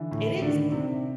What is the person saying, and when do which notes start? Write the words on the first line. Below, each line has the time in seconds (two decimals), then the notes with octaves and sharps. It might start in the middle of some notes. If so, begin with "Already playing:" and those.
it is.
Already playing: D3 E3
0.11 A2
0.42 D3 D#3 D4
0.72 C3 C4